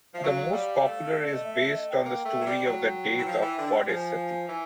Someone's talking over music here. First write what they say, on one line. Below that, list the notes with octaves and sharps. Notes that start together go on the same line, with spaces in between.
The most popular is based on the story of the death of goddess Sati.
F3
E5
F#3 F5
G3
A3
D5
D#5
E5
E5
D#5
G5
A#3
A3
F#3
G3
F#3 G5
E3
F3
E3
D3
G3
F3 G#5
E3